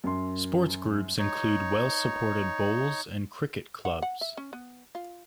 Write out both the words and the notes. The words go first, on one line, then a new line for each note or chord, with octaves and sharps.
Sports groups include well-supported Bowls and Cricket clubs.
F#2 C6
D#4 C#5
F#5
F#5
E5
C#4
B3
F4